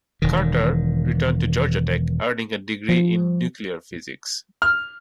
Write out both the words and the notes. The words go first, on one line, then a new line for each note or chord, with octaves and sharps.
Carter returned to Georgia Tech, earning a degree in nuclear physics.
E1 D#3
F3
F6